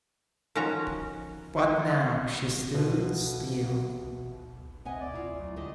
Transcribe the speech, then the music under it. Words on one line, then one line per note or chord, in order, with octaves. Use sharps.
But now she stood still.
D#3 F3 C#4 F#4 A#5
E2 B2 F4 A4 B4
C3 D#5 F#5 G#5
D5
E4 F4
F#3 A3
E2 D3 G3 D4 D#5